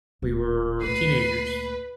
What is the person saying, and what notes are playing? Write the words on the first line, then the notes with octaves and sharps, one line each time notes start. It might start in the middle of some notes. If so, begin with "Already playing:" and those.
we were teenagers,
D1 D#3
D2 A#2 B4 C7 D#7